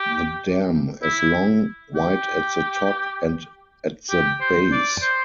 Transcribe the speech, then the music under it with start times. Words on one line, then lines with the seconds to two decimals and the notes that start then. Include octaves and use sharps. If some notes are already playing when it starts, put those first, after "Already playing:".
The dam is long, wide at the top and at the base.
Already playing: G4
1.02 E4
1.94 G4
4.10 G4
4.40 C5
4.72 D5
5.02 C5